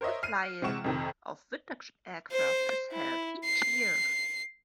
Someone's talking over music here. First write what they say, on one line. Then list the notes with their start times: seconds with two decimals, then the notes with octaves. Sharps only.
A fly-in of vintage aircraft is held each year.
0.01 A#4 C5 C#5 D#5 E5
0.23 F6 C7 D#7
0.62 C3 G#3 F#5 C#6 E7
0.84 F2 C3 D#3
2.32 C5
2.92 E4
3.45 C7